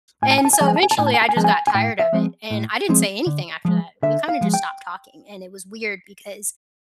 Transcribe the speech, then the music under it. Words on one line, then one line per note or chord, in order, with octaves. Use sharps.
And so eventually, I just got tired of it and I didn't say anything after that. We kinda just stopped talking, and it was weird because
A2 G#5
A5
G#5
A5
G#5
F3 G#3 C4 A5
G#5
A5
G#5
A5
A2 G#5
A5
G#5
A5
G#5
F3 G#3 C4 A5
G#5
G#5
A2 G5
E5
F3 G#3 C4
A2
F3 G#3 C4
D3
F3 G#3
D3 E5
F5
F3 G#3
G5